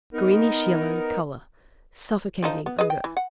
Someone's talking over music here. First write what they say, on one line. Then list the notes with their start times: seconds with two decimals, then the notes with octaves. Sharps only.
Greenish-yellow colour, suffocating odour.
0.13 B3 D#4 A#4
2.43 D3 F3 D#4
2.66 B3
2.79 G#4 B4 D#5
2.90 G5
3.04 E3
3.17 F#5